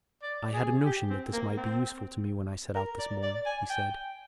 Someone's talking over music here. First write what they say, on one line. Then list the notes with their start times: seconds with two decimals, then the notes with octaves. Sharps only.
"I had a notion that this might be useful to me when I set out this morn," he said.
0.23 D5
0.54 G#4
0.86 G4
1.10 C4
1.33 A#3
1.57 C4
2.75 A#4
2.99 D5
3.23 D5
3.46 G#5
3.70 G5